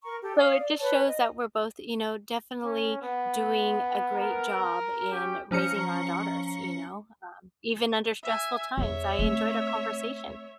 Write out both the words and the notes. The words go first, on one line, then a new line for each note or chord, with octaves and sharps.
so it just shows that we're both, you know, definitely doing a great job in raising our daughters, you know, um, even under stressful times. I enjoyed our conversation.
A#4 A#5 C#6
G4 A4 G5
C#5 F5 D#6
D5
B4 C#5 A5
D#5
C#4
B3
A#4
C#4 G4 G5
F3 C#4 A#5 C#7
E5 G#5
E2 C#5 E5
A3 C4